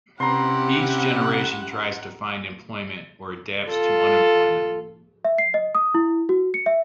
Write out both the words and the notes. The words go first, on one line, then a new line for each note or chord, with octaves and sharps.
Each generation tries to find employment or adapts to unemployment.
C3 C#4 E4 G4 F#5 A#5 C6
F4 A4
E5
C7
D#5
D#6
E4
F#4
C#7
E5